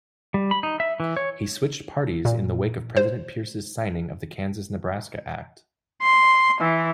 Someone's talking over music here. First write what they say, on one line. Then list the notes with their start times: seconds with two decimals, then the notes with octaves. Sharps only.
He switched parties in the wake of President Pierce's signing of the Kansas-Nebraska Act.
0.34 G3
0.51 B5
0.63 D#4
0.80 E5
1.00 E3
1.17 C#5
2.25 A#2
2.97 C5
6.03 C6
6.62 E3